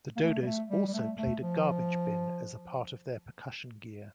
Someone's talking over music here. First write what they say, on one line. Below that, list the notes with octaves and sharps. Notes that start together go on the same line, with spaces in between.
The Dodos also played a garbage bin as a part of their percussion gear.
A#3
A3
G3
A3
G3
G3
A3
A3
F3